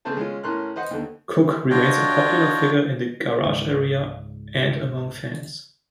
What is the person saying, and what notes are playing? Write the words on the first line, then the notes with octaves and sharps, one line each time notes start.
Cook remains a popular figure in the garage area and among fans.
C#3 A3 C4 B4 C5 A5
G#3 C#4 F4
A2 C#4 A#4 C6 F#6
B4 C5 D#5 F#5
D#2 D3
D4 F4 F#4 C#5 D#5 G5
C#2 G#2